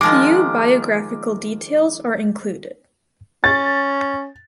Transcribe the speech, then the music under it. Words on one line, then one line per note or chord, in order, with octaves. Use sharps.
Few biographical details are included.
D#3 F3 G#3 D6
C#4 A6